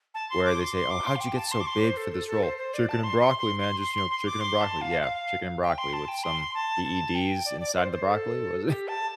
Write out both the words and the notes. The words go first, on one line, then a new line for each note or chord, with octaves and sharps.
where they say, "Oh, how'd you get so big for this role?" "Chicken and broccoli, man. Just, you know, chicken and broccoli." Yeah, chicken and broccoli with some EEDs inside the broccoli was it
A5
C6
D6
C6
C6
D6
C6
F5
G5
A5
C6
D6
C6
C5
A4
A4
A4
C5
C5
D5
A5
C6
C6
C6
C6
C6
C6
C6
D6
C6
A5
F5
F5
G5
C6
A5
G5
C6
A5
A5
G5
D5
D5
C5
C5
A4
G4
A5